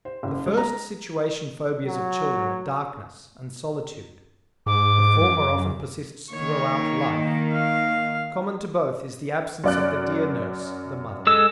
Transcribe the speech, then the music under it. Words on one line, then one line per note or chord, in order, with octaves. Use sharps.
The first situation phobias of children are darkness and solitude; the former often persists throughout life; common to both is the absence of the dear nurse, the mother.
C5
F#1
G#3
A#5
F#3
G#2 D6
F#2
D#3 A#3 C#5
F5
F#2 D5 F#6
G#3 A4 E6